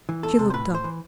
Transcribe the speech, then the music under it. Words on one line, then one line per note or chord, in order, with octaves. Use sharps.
She looked up.
E3
E2 A4
C3
C5
A2 B4
A2 C5
E3